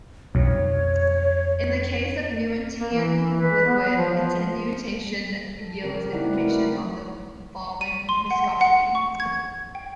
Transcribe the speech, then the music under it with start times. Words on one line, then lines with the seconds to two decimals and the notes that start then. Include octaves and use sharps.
In the case of a Newtonian liquid, attenuation yields information on the volume viscosity.
0.35 B1 F2 C#5
2.80 A#3
2.93 E3
3.22 E3
3.40 B4
3.66 B3
3.96 F3
4.14 F3
5.61 A4
5.83 C#3 F3 G3 C4 G4 A#4
6.13 D#4 E4 D5 F#5
6.33 A3 C4 E4 F#4 A#4 B4
7.81 D#7
8.09 C6
8.31 F#5
8.61 F#5
8.95 C#6
9.20 G#6
9.75 G5